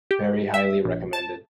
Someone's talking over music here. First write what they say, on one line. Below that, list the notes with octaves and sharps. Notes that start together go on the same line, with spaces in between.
Very highly recommended.
G4
E5
A#1
A5